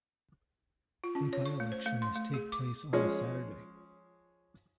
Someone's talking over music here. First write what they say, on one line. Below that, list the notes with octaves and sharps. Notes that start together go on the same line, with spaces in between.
A by-election must take place on a Saturday.
F4
C#4
C#5
C#6
A3
C5
A3
C6
A3
G#4
D6
F3 G#3 C#4